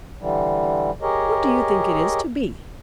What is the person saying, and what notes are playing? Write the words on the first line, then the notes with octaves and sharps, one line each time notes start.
What do you think it is to be?
D3 E3 G3
G4 G#4 A#4 C#5 D#5